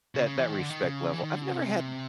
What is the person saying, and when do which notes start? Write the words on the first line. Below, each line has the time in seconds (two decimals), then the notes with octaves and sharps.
That that respect level, I've never had
0.15 C#3
0.26 C#3
0.38 E3
0.49 D#3
0.59 D3
0.70 D#3
0.84 C#3
1.13 E3
1.23 D#3
1.34 D3
1.43 C#3
1.53 C3